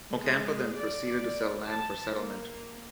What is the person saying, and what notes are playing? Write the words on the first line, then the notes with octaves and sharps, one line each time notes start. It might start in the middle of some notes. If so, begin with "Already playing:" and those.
Ocampo then proceeded to sell land for settlement.
G#3
D5
A5
A#3